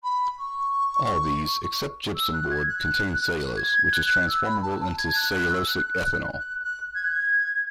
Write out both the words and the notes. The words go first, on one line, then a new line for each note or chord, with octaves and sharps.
All these, except gypsum board, contain cellulose, which is transformable into cellulosic ethanol.
B5
C#6
E6
F#6
G#6
F#6
G#6
G#6
F#6
E6
B5
A5
A5
G#6
F#6
F#6
E6
F#6
F#6
F#6
G#6
F#6
G#6